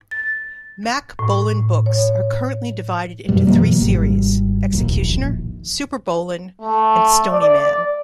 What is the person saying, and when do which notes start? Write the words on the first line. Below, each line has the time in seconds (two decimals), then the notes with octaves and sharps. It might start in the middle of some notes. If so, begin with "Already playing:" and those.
Mack Bolan books are currently divided into three series: Executioner, SuperBolan, and Stony Man.
0.11 A6
1.19 A2
1.86 C#5
3.29 F#2 B2 G3
3.47 B2 E3 F#3 A#3
3.80 G#1 G3
4.73 D1 A#1 D#2
6.62 A3
7.33 D5